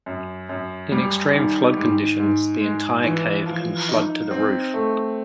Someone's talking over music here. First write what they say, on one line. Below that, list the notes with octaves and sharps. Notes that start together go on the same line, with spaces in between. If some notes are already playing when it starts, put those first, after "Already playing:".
In extreme flood conditions the entire cave can flood to the roof.
F#2
F#2
G3
D#3
G#2
G#2
G#3
E3
F3
D#4
C4
A3